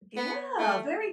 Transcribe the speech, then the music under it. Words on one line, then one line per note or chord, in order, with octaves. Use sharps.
Yeah, very
B3
A3